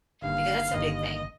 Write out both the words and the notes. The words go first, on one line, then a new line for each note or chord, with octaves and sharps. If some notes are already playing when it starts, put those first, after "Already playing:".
because that's a big thing.
G1 G2 D#3 A#3 F5
G1 G2 D#3 A#3 D#5